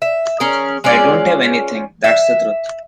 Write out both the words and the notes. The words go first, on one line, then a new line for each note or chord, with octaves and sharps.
I don’t have anything, that’s the truth!
E5
C#4 G#4 A#4
G#3 C#4 F4 D5
E5